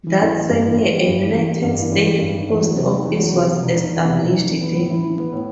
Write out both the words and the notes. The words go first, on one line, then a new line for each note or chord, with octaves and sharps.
That same year, a United States Post Office was established there.
E3
A1
G3
G2
E3
A1
G3
G2
E3
A1
G3
G2
E3
A1
G3
G2
D#3
E2
F#3
C3
D#3
E2
F#3
C3
C3
E1
D#3
E2
C3
E1
D#3
E2
B3
A2
E4
E3
B3
A2